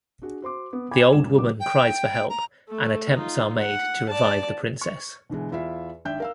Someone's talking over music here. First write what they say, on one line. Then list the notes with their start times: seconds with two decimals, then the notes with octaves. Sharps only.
The old woman cries for help and attempts are made to revive the princess.
0.22 D4 F#4 G#4
0.42 F#4 C5 C6 D6
0.73 B3
0.91 G5 G#5 B5 D6 G#6
1.13 C#2 G2 C#4 E7
1.37 C#2 A#2 F#3 D#4 G4 D6
1.60 G5
2.29 A#5
2.68 A3
3.16 D#4 F4
3.58 F#5
4.10 D5 A5
4.82 C#6
5.30 B2 D3 E3 G#3
5.51 E2 E4 F4 E5 F5
6.05 G#1 D4 E5 G5 G6
6.20 A#4 F5 E6